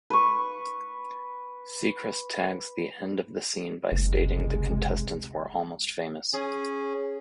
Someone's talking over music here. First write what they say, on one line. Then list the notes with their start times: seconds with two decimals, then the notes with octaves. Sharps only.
Seacrest tags the end of the scene by stating the contestants were almost famous.
0.10 B4 C#6
3.92 F#1 C#2 C3 G#3
6.33 C#4 G#4